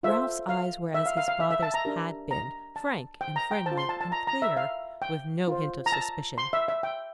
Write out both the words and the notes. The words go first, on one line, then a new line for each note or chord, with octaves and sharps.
Ralph's eyes were as his father's had been--frank and friendly and clear, with no hint of suspicion.
F4 A4 C5 E5
F5
E5
F5
F5
F5
E5
E5
A5
A#5
D4 G4 A#4
A#5
A5
G5
A#5
G5
C5 A5
F4
C6
A5
A5
A#5
A#5
E5
F5
G5
F4 C5
A#5
A5
C6
E5
E5
G5